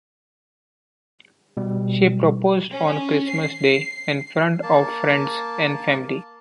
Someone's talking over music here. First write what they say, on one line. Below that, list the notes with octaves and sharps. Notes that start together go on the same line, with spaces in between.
She proposed on Christmas Day in front of friends and family.
B2 G3
C#4
C7
A#3 A5